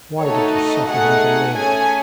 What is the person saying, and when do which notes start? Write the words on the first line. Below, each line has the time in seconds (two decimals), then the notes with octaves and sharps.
"Why did you suffer him to live?"
0.21 A3 D#4 F#4 A4 C#5
0.56 D#5
0.89 A3 D#4 G#4 F#5
1.56 A3 C#4 G#4 G#5